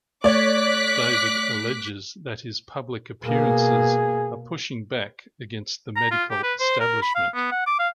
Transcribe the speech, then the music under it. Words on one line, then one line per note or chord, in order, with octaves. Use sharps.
David alleges that his public appearances are pushing back against the medical establishment.
A3 C#5 D5 D6 F#6 B6
B2 A#3 G#4
A#5
F4
G4
B4
C5
A#4
B5
F5
B3
F#5
D6
F5